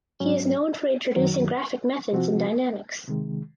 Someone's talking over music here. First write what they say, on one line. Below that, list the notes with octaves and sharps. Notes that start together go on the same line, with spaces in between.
He is known for introducing graphic methods in dynamics.
G#2 F#3 C#4
F#2 D#3 F#3
C3 F3 C4 F#4
C3 D#3 G#3